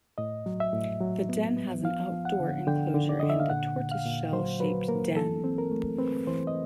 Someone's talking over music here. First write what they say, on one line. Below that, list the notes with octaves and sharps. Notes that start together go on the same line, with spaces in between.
The den has an outdoor enclosure and a tortoise shell-shaped den.
A2 D#5
F#3
E5
A2
F#3
B3
B3
F3 F5
F3
F#5
D3
D3 G5
D3
D5
D3 D#5
E5
F5
A#2 F#5
A#2
F5
A#2
F#3 C5
F#3 B4
A#3 A#4
E3 A4
C4
A#4
A3
C4 B4
E3 C5
D#5